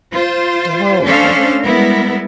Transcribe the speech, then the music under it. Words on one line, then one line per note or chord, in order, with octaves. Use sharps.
Oh, 'kay.
F4 C5
A3 C#4 D4 A4 C5 F5
G3 G#3 B3 E4 A#4